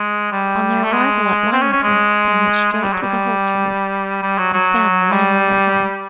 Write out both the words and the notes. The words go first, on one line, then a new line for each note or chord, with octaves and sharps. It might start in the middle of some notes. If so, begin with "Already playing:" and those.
On their arrival at Lymington, they went straight to the hostelry, and found the landlord at home.
Already playing: G#3
G3
A3
G#3
C4
C#4
C#4
G#3
G#3
G3
F#3
G3
G3
F#3
F#3
G3